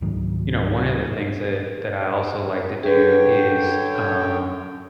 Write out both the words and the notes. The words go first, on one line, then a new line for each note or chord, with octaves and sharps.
you know, one of the things that that I also like to do is, um,
C#2 G#2 D#3 F#3
D3 G#4 B4 C#5 G5